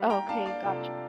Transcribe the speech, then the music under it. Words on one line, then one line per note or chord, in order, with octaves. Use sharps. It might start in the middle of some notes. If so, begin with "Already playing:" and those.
Okay, gotcha.
Already playing: G3
G5 A#5
D4 F5 A5
D5 F5
C3 F4 A4